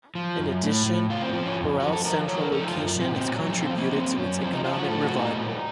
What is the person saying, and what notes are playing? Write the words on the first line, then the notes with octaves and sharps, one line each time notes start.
In addition, Burao's central location has contributed to its economic revival.
F3
F#2
A2
A2
A2 F4
C4
F3 C4
C#4
F2
F2 F#4
A4
F3 A#4
F3 C#5
A#4
F3 A4
D#4
F4
F#2
A#2 C4
C4
F#3
F3 D#4
C4
F3
A#3
F#3 C4
F#2 C#4
F3 C4
D#4
F3 F4
F#4
A2 A4
F#4
A2
D#4
A#2